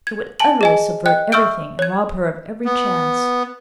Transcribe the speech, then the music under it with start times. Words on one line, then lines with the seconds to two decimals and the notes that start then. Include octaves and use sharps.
It would utterly subvert everything and rob her of every chance.
0.07 G#6
0.40 G#5 A5 F#7
0.61 G#4 D#5 G#5
1.06 D#5 G5 F#6
1.32 E5 C#6 E6 F6 G6 D7
1.79 C#5 G#6
2.65 B3